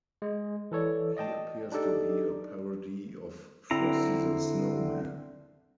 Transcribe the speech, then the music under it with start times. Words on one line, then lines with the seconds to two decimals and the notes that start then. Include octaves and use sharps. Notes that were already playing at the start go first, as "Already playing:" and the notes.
He appears to be a parody of Frosty the Snowman.
0.22 G#3
0.71 E3 A4 C#5 D5
1.17 D5 D#5 G5 A5
1.72 D4 D#4 G4 A4 D5
3.71 D3 C4 E4 A#5